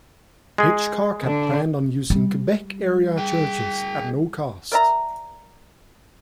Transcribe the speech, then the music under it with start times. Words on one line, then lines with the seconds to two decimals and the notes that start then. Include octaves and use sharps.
Hitchcock had planned on using Quebec-area churches at no cost.
0.58 G#3 G#4
1.23 D3 D4
2.10 G3
3.19 G#4 G5
4.72 A#4 D5 E5 A#5